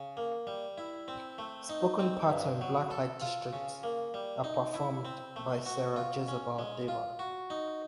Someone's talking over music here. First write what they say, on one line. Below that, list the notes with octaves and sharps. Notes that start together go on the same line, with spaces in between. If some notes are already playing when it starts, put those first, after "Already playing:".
Spoken parts on "Black Light District" are performed by Sarah Jezebel Deva.
Already playing: C#3
A#3
G3
E4
C4
A3
D#4
C4
G2
F#3
A4
F4
C#3
A#3
G3
D#4
E4
C4
A3
F#4
F4
C#4
G#3
F4
F#4
D#4